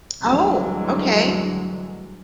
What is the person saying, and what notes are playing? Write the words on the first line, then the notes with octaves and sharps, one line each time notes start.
Oh, okay.
D2 G2 D3 E3 F#3 G#3